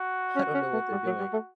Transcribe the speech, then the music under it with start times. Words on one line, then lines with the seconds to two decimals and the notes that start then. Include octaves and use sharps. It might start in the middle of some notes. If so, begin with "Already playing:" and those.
I don't know what they're doing,
Already playing: F#4
0.36 C#4
0.54 C#4
0.73 A3
0.92 G3
1.06 F#3
1.20 G3
1.33 A3